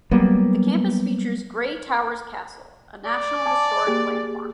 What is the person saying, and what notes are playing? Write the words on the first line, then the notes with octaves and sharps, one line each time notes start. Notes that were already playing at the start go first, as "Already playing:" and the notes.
The campus features Grey Towers Castle, a National Historic Landmark.
F#3 G3 A#3 B3
D5
G#5 A5 D6
A#3 G4 G#4